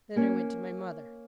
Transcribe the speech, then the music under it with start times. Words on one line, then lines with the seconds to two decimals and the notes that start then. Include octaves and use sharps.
Then I went to my mother.
0.16 A#3 C#4